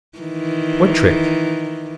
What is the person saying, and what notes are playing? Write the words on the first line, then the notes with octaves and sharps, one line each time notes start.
"What trick?"
D#3 E3